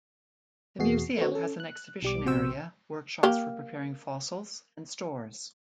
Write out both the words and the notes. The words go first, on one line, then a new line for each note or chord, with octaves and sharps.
The museum has an exhibition area, workshops for preparing fossils, and stores.
E2 B2 F#4 G#4 C7
A3 B3 C4 F#4
C#4 A4
F#6
B1 G3 D6
A#1 C3 F#4 C5 G5 E6
A#3 G4